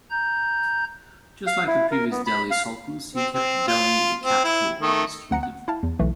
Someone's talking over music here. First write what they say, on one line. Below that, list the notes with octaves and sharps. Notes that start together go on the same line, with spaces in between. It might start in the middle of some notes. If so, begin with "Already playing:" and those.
Just like the previous Delhi Sultans, he kept Delhi the capital of his kingdom.
A#5 G6
F5
E4
A#4
B3
B5
F5
C4
C4
F4
C4
E4
D#3 A3
D2 F#5 A#5 C#7
F#5
E4 F5 A5
E2
B1 E3 A3